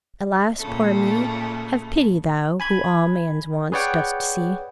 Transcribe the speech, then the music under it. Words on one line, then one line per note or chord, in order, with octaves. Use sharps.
Alas, poor me! Have pity, Thou, who all man's wants dost see.
A#2 C#3 A3
G#5 B5 G#6
G#4 B4 C#5 D5 F#5 G5